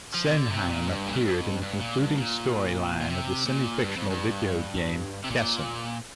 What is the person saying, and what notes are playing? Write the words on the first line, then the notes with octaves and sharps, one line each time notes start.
Senhime appeared in the concluding storyline of the semi-fictional video game Kessen.
F3
C3
D3
C3
A#2
G2
A#2
G2
F2
G2
A#2
G2
A#2
A#2
C3
A#2
G2
F2
G2
C3
A#2